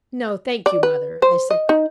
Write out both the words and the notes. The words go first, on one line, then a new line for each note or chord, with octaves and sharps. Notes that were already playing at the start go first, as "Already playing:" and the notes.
"No, thank you, mother," I said.
D5
B4
C5
D#5
D#4